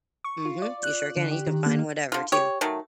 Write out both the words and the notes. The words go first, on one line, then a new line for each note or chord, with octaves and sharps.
Mhm, you sure can, you can find whatever too.
C#6
F4
D5
F#6
D3
G4
D#3
A#3
D3 F4
G4 C#5
D#3 F#3 A3